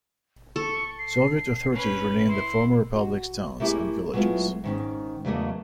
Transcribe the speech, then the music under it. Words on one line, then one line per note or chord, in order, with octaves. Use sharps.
Soviet authorities renamed the former republic's towns and villages.
A4 C#6
C7
C#4 B4
E4 C6
F#4
A3 A#3 D4 E4 G4 G#4
F#3 G#3 A3 B3 E4 F4
G#2 D#3 C#4
E2 C#3 F#3 A3 A#3 D#5